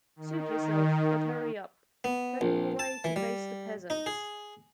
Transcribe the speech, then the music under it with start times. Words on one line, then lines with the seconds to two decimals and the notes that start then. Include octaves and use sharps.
Suit yourself, but hurry up. - Turning away to face the peasants.
0.16 D#3
2.04 B3
2.41 A#1
2.79 A5
3.04 E3
3.16 G3
3.90 D#4
4.06 G#4